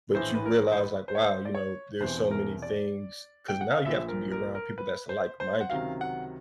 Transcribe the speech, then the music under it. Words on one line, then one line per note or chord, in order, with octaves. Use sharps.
But you realize, like, "Wow, you know, there's so many things" 'cause now you have to be around people that's, like-minded
A#1 A2 E3 C5
B4
A#4
C5
B4
C5
C#5
C5
D5
C#5
E1 E2 C3 E3 C5
A#4
D5
G5
F#5
F5
A#1 A#2 F3 E5
A#4
A#4
A#4
B4
C5
C5
F#5
C#2 C3 D#3 F#3 F5
F#5